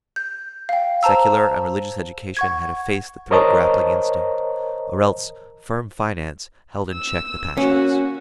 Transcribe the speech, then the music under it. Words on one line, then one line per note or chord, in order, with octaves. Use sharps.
Secular and religious education had effaced the throat-grappling instinct, or else firm finance held in check the passions.
G6
F5 G5
C5 A5 A#5 E6
F#5 C#6 G#6
A#4 C5 C#5 D#5 A5 A#5
E6
A#3 C#4 F#4